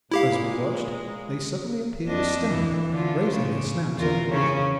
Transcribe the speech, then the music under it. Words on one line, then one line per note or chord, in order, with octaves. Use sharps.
As we watched, they suddenly appeared astern, raising their snouts out of water.
A#2 G#3 E4 G4 F5
F2 D4 D#5
E3
D3 F4
C#3
E2 F4 A#4
C#3 C#4